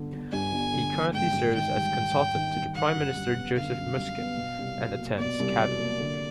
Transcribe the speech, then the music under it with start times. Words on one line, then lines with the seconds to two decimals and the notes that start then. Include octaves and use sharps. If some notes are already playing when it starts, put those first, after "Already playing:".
He currently serves as consultant to the Prime Minister Joseph Muscat and attends Cabinet.
Already playing: G1 G2 D3
0.12 G1
0.32 G2 G#5
0.52 G1
0.73 D3
0.94 G1
1.13 G#2 G5
1.33 G#1
1.54 D#3 G5
1.74 G3
1.94 G#2
2.15 G#1
2.35 D#3
2.55 G3
2.75 D3 F#5
2.96 F#2
3.16 G3
3.36 B3
3.57 D3 F5
3.77 F#2
3.97 G3
4.18 B3
4.37 B2
4.59 C2
4.78 F#3
4.99 A#3
5.19 B2 D5
5.39 C2
5.59 F#3
5.79 A#3
6.00 D3